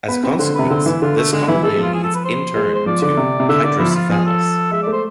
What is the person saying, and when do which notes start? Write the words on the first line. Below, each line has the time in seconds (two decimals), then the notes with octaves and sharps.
As a consequence, this commonly leads in turn to hydrocephalus.
0.08 B3 B4
0.24 C4 B4
0.39 D3 C5
0.55 C3 B4
0.70 D3 C4
0.86 E3 E4
1.02 D3 F4
1.17 A3
1.32 D3 G#3
1.47 E3 E4
1.63 G#3 A4
1.78 F3
1.83 F4
1.94 G#4
2.04 A4
2.15 B4
2.25 C5
2.55 G#3
2.74 C5
2.86 F3 D5
3.02 D3 D5
3.17 C3
3.40 C3
3.49 D3 E5
3.64 D3 D5
3.79 F3 E4
3.90 E4
3.94 F4
4.09 F3 G#4
4.25 A4
4.71 G#3 E5
4.83 A3 D5
4.93 C5